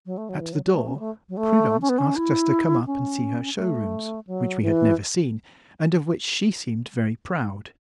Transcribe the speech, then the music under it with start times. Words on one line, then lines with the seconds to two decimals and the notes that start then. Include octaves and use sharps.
At the door, Prudence asked us to come up and see her showrooms, which we had never seen, and of which she seemed very proud.
0.06 F#3
0.18 A3
0.29 F#3
0.41 E3
0.53 F#3
0.65 F#3
0.76 A3
0.88 C#4
0.96 F#3
0.99 A3
1.29 F#3
1.37 A3
1.82 C#4
1.89 B3
1.98 C#4
2.16 E4
2.87 C#4
3.57 A3
4.27 F#3
4.62 E3